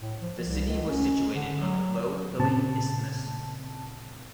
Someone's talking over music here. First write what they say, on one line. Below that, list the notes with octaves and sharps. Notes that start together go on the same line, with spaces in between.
The city was situated on a low hilly isthmus.
A2
F3
C2
C#2
C#4
D3
F#3
A#2 C#3 C4 A5